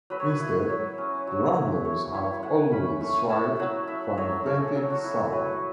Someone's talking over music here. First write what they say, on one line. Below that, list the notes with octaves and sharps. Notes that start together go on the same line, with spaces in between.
Instead, the Ramblers have always strived for an "authentic" sound.
F#3 B4
C#5
B4
E4
F#3
C#4
F#3
E4
A3 C#5
E4 C#5
A3 F#5
C#4 B5
A3 C#6
E4 A5
F#3 F#5
E4 E5
F#3 C#5
C#4 A4
A4
F#3
F#4
E4
A4
F#3 B4